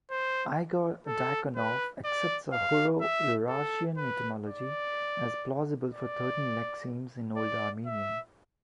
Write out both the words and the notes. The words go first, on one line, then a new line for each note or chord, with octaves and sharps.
Igor Diakonoff accepts a Hurro-Urartian etymology as plausible for thirteen lexemes in Old Armenian.
C5
A4
B4
D5
F5
E5
A4
B4
D5
D5
D5
E5